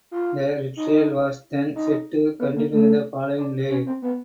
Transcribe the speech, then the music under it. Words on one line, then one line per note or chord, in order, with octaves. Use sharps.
The retrial was then set to continue the following day.
F4
D#4
D#4
B3
A#3
A3
D4
C#4
C4
B3